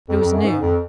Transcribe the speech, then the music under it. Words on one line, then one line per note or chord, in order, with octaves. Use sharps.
It was noon.
F2
F2
F#2
G#2
F2